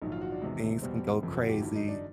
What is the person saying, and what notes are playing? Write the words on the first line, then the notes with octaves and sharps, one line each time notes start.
things can go crazy,
A#1 G#2 D#3 F#3
F4
F#4
D4
E2 C3 D#3 G#3
E2 B2 G3 C4
G1 F2 C#3 F3
F#4
G4
G2 D#3 F#3 E4
D#4
D4